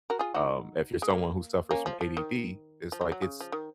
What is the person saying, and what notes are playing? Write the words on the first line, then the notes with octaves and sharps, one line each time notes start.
um, if you're someone who suffers from ADD, it's like it's
F#4 A#4
F4 G#4
D#4 F#4
G#3
A#3
A#3 C#4
F3
F3
D#3
F3
F#3
F#3
C#3
F3
D#3